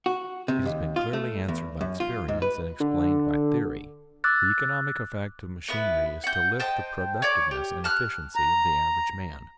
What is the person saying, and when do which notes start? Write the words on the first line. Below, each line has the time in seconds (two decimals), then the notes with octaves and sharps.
It has been clearly answered by experience and explained by theory: the economic effect of machinery is to lift the productiveness and efficiency of the average man.
0.06 F#4
0.48 C3
0.66 D#2
0.96 F4
1.13 A3
1.48 E2
1.81 F#2
2.00 F4
2.28 G#2
2.42 B4
2.80 D3
4.24 D6 E6 F#6 A6
5.68 B3 E4 B4
6.24 F#5 G6
6.60 C5 D#5 G5 A5
7.22 C#5 D5
7.51 G4
7.84 A5 F6 F#6
8.36 A#5